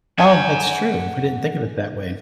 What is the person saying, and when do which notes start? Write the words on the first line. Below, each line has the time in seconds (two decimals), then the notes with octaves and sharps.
Oh, that's true. I didn't think of it that way.
0.19 F#5 G#5